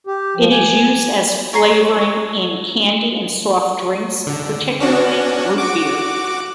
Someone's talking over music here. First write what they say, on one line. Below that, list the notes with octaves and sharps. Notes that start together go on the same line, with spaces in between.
It is used as a flavoring in candy and soft drinks, particularly root beer.
G4
F3
G#5
C#5 G#5 A#5 C6
D3
C#4 D4 F#4
F#4 D6